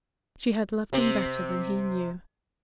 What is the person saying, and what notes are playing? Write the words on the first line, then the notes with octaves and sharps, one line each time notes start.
She had loved him better than he knew.
C3 C4